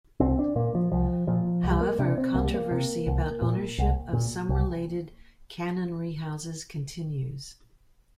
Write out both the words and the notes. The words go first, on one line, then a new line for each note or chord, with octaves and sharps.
However, controversy about ownership of some related canonry houses continues.
C2 C4
D4
A#2 A#3
F3
C2 F3
A#2 F3
C2
G3
A#3
C3 D4
C4
C2 A#3
G3
A#3
C3
C2
A#2
C2
A#2
C2